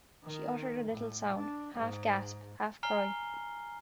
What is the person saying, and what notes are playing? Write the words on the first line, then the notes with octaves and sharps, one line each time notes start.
She uttered a little sound, half gasp, half cry.
D#3
A2
D4
G#2
G#5 A#5 F6 C7 G7